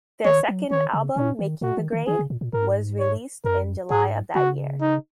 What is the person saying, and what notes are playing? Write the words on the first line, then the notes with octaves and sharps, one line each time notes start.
Their second album, "Making the Grade", was released in July of that year.
D#3 C#5
F#3
D#3 C#5
C#3
A#2 C#4
D#3
A#2 F#4
D#3
D#3
D#3 G#4
C#3
A#2
A#2
G#2 A#4
C#5
F#2 A#4
G#2 G#4
C#3 F#4
D#4